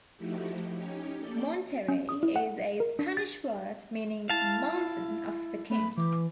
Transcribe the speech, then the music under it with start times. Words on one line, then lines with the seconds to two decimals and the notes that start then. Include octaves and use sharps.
"Monterey" is a Spanish word meaning "mountain of the king".
0.17 F3 A3 D#4 E4 F#4 G4
0.75 C#4 D#4 G4 C#5
1.19 A#3 A4 D5 D6 G6
1.88 C#4
2.09 D#6
2.23 E4
2.36 F#5
2.80 A#4
2.99 D4
3.17 A6
4.30 E4 F5 A5
5.70 A3 B5
5.97 E3 D6